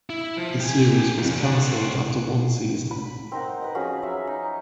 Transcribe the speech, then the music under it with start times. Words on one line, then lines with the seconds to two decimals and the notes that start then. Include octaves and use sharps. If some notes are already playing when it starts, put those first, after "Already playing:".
The series was canceled after one season.
0.10 E4
0.37 F3
0.60 G4 G#5
1.18 F2 A2
1.39 D3
1.62 C4 F#4
2.91 B5
3.32 C4 D#4 A#4 F#5
3.62 B4 D#5
3.75 F3 C#4 F#4 G#4
4.03 F#3 E5
4.27 D#4